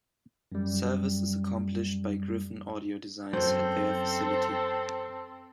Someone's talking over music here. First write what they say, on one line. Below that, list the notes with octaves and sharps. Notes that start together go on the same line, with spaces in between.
Service is accomplished by Gryphon Audio Designs at their facility.
F#2 G3
F#2 F#3 C4 A4 C5